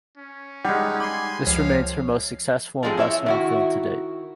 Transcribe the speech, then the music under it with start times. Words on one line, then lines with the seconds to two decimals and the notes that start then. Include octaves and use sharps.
This remains her most successful and best known film to date.
0.17 C#4
0.65 G3 G#3 D#4 F#5
1.00 G#5 B5 C6 D6 C7
1.47 C#2 F3 C#5 F5
2.83 F3 G3 G#3 C4 G#4
2.97 E4 C#5 E5
3.26 D#3 E4 F#4